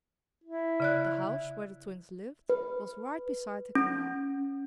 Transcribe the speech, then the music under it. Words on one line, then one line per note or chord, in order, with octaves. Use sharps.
The house where the Twins lived was right beside the canal.
E4
C#3 D5 F#6
B4
C#4